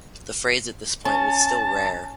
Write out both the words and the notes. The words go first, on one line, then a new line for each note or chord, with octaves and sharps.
The phrase at this point was still rare.
C#4 A5